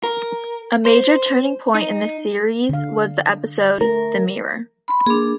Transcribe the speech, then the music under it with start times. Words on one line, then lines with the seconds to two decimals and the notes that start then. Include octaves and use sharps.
A major turning point in the series was the episode "The Mirror".
0.03 A#4
0.85 C5
1.75 D#4
2.69 D3 F5
3.81 A3 A#4
4.88 B5 C6
5.06 A#3 D4 G#4